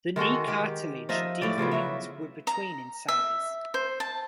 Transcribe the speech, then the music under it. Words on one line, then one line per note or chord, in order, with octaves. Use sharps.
The knee cartilage defects were between in size.
D#3 G#3 F#4 A4
D#3 G4
F3 D#4 D#5 E5
A2 G4 D5 G5
C#3 F3 F#3 B3
F#4 E5
A#5
E5
C5
A5